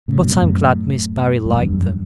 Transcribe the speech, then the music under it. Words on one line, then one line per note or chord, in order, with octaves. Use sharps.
But I'm glad Miss Barry liked them.
A2 C#3
G2 B2
F#2 A2
F#2 A2
E2 G2
F#2